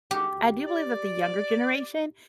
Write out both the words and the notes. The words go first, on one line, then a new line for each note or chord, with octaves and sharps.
I do believe that the younger generation
D#3 G#3 F#4 G4
D2
D5